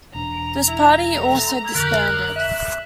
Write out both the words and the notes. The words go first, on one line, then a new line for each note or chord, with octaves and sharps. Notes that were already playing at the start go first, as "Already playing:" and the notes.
This party also disbanded.
E1 D4 A#5
E4
A3
F2 D3 A#4 F#6
E5